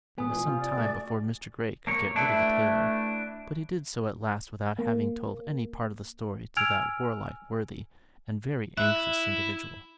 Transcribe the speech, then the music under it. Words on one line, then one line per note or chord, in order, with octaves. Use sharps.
It was some time before Mr. Grey could get rid of the tailor, but he did so at last without having told any part of the story to that warlike, worthy, and very anxious individual.
B3 G#5 D#6
A#2 E3
C3 F4
D5
C2 A3 F#4
A#3 C#5
A3 D4 E4 B4
A#3
G#5 E6 F6 G#6 D7 F7
E4 E5 F#6